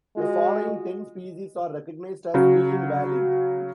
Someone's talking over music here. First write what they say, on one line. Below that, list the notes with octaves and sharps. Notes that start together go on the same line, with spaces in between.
The following ten species are recognized as being valid.
G#3 F4 F#4 D#5
C#3 F#3